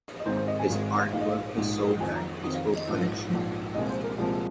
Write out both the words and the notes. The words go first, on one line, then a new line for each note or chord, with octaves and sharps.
His artwork is sold at Bespoke Collection.
D#5
G#1 G#2 D#3 G#3 C4 C5
C5
D#5
G#5
G#1 G#2 D#3 G#3 C4
A#1 G#2 G#3 D#4 F5
D#5
F5
A#1 G#2 G#3 D#4
F2 D#3 C4 G#5
A#5
F2 D#3 C4 D#6
F5
D#5
A#1 G#2 F3
A#1 G#2 F3
C2 A#2 F3 G#3 C4 D#5
C5
A#4
C2 A#2 F3 G#3 C4 C5